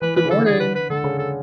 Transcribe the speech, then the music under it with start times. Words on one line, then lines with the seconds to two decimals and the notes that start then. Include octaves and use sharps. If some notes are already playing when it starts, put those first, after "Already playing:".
Good morning.
0.02 E3 B4
0.16 E3 B4
0.25 C#3
0.31 D3 A4
0.46 G#4
0.60 B4
0.75 B4
0.90 D3 A4
1.04 C#3
1.19 A4